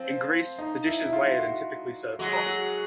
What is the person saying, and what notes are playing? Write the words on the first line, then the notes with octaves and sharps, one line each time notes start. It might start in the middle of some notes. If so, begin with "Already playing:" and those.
In Greece, the dish is layered and typically served hot.
Already playing: F3 C4
D#4
E4
E4
F4
F#4
F#3 G#3 F#4
F#4